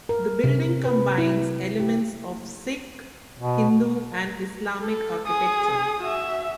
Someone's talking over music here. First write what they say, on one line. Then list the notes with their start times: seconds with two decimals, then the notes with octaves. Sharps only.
The building combines elements of Sikh, Hindu, and Islamic architecture.
0.09 A#4
0.44 C3
0.85 B4
1.18 E4
1.80 G4
3.39 B2
4.81 A4
5.27 G#4 D#6
6.01 F#4 E5